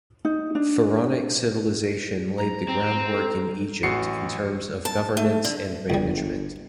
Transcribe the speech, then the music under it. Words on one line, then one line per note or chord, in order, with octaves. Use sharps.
Pharaonic civilization laid the groundwork in Egypt in terms of governance and management.
D#4
D4
A#5
C4
A4
A1 F#4 C7 C#7
A5
A3
D3
G1 C#2 G3